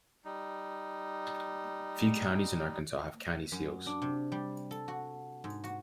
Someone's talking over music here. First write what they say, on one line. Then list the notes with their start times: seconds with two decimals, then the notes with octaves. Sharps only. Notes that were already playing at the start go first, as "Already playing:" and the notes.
Few counties in Arkansas have county seals.
0.25 G3 D#4
3.52 F#2
3.86 D4
4.02 C3
4.32 G3
4.71 A4
4.88 F#4
5.44 G#2
5.64 F#4